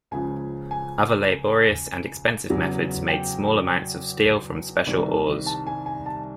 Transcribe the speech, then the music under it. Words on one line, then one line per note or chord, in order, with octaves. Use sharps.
Other laborious and expensive methods made small amounts of steel from special ores.
C#2 C#3 F3 G#5
G#5
E2 C#3 F#3
G5
C2 C3 D#3 G3
A5
G#5
G#5
A5